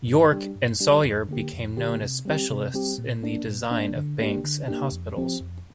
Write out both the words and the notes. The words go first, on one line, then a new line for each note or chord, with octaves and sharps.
York and Sawyer became known as specialists in the design of banks and hospitals.
G2
G3 D4 G4
G2
G3 D4 G4
F2
D3 A#3 G4
F2
D3 A#3 G4
C3
G3 C4 G4
C3
G3 C4 G4
A#2
A#3 D4
A#2
A#3 D4
D3
A#3 D4 G4
D3
A#3 D4 G4
F2
F3 C4 G4
F2